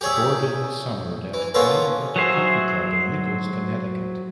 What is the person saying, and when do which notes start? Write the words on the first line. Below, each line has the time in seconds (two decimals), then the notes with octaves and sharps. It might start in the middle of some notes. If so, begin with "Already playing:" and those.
Gordon summered at Pine Brook Country Club in Nichols, Connecticut.
0.01 G4 G#4 C#5 D5 E5
1.34 E3
1.54 A#3 B3 C#4 F4 A4 B4
2.16 F#3 F#4 G#4 C5 E5